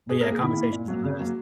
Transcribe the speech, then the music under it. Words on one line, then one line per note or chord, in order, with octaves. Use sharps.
But, yeah, conversation is the best.
B2 G#4
A#4
A#3
G#4
D#3 E4
A#3
A#2
F#3 A#3
C#3
F#3 A#3